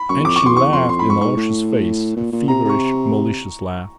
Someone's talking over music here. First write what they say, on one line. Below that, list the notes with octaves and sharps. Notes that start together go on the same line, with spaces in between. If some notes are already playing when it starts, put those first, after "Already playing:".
And she laughed in Alyosha's face, a feverish malicious laugh.
Already playing: B5
F#2 C#6
E2
F2 D6
C#6
F2
C6
E2 C#6
F2 C6
F2 C6
B5
C#6
G#2 C#6
A2
A#2
A#2
C3 A#5
C3 C#6